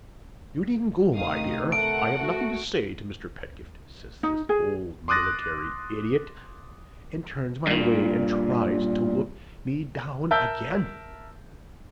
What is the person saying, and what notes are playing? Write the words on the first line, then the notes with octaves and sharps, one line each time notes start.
'You needn't go, my dear, I have nothing to say to Mr. Pedgift,' says this old military idiot, and turns my way, and tries to look me down again.
D2 C3 D#3 F5 D#6
A3 A4 A#4 F#5 D7
A3 F#4
D#4
G#4
C6 D6 D#6 F#6 A6 A#6
G2 A#2
A#4 E5 A5 E6 G6